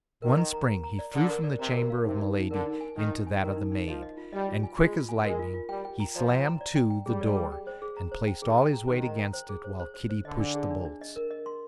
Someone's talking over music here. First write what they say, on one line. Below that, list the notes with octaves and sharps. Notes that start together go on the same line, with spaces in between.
With one spring he flew from the chamber of Milady into that of the maid, and quick as lightning, he slammed to the door, and placed all his weight against it, while Kitty pushed the bolts.
D#3 A#4
A#5
A#5
A#5
A#5
D5
D3 D5
A#4
D5
C3 A#5
A#4
F5
C3 D#4
D#4
D#4
D3 A#4
D#4
G#5
D#3 D#4
D#5
G#5
D#3 A#4
D#4
D#4
F3 D#5
D#5
F4
G3 D#5
F4
G#5
G#3 F4
F4
G#5
G#3 A#4
F4
F4
G3 G5
G5
A#5
F3 D5
G5
A#5
D5
G5
G5
G3 G#4
D5
G#4
G5
C5
G#4
A#5
C5
G5
D#3 G#4
G5
A#5
D#3 C5
A#5
G5
C5
G#4
C5
C5
C5
C5
D3 D#5
D4
G#4
D4
D4
D#5
A#4
D#5
C6